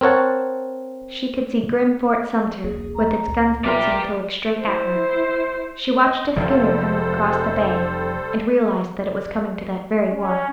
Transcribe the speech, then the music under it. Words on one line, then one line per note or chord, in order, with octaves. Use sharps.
She could see grim Fort Sumter, with its guns that seemed to look straight at her. She watched a schooner coming across the bay, and realized that it was coming to that very wharf.
C4 A#4 C#5 F#5 A5
E1 C2 A#3 G#4
A#5
C#2 A#2
B1 B3 F4 G4 A#4 D5 E5
E4 C5
D#5
F1 C3 F3 G3 A4 C5
C#4